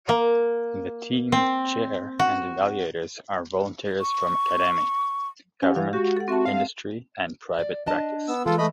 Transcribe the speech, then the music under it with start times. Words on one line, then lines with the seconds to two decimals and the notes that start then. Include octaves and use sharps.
The team chair and evaluators are volunteers from academe, government, industry, and private practice.
0.09 A#3
1.32 C4
2.19 F#4
4.00 C#6
5.62 C#4 G4 F5 F#5
5.76 E3 F5
5.93 G#3 F#4 G4
6.17 A4 F#5
6.28 C4 F#4 E5 A5
6.45 F5
7.59 D5
7.86 D4 D#5 A5
8.28 B3 E6
8.46 E3 G#3 F4 A4
8.58 A3 D#5 B5